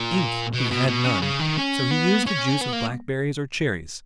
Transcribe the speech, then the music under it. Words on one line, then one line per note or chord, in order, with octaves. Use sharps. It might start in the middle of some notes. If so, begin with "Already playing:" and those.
Ink he had none, so he used the juice of blackberries or cherries.
Already playing: A#2
B2
B2
B2
C#3
C#3
D#3
C#4
B3
C#4
B3
A#3